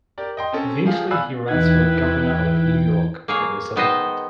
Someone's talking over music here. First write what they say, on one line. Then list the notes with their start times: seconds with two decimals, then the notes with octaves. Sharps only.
Eventually he runs for governor of New York and is elected.
0.18 G4 A#4 D5
0.37 D#5 G5 C6
0.52 C4 C#4 A4
0.85 F3 G4 G#4 F5
1.10 D5 F5 G#5 B5 E6 F#6
1.49 E2 E3 D#4 E4 B4 G5 G#6
3.28 A#3 G#4 C#5
3.76 D#3 B3 C5 D#5